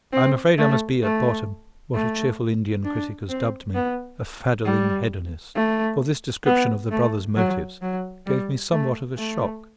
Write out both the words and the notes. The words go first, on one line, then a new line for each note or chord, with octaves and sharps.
I am afraid I must be at bottom, what a cheerful Indian critic has dubbed me, "a faddling hedonist," for this description of the brother's motives gave me somewhat of a shock.
C4
A3
A3
A3
D4
C4
B3
G3
A3
B3
A3
F#3
F#3
G3
A3
A3